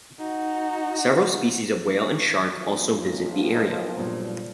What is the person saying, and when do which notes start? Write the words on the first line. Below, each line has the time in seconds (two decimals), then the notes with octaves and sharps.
Several species of whale and shark also visit the area.
0.19 D#4 F#4
2.59 B1 F3
3.54 D#4 A4 A#4
3.97 G2 A#2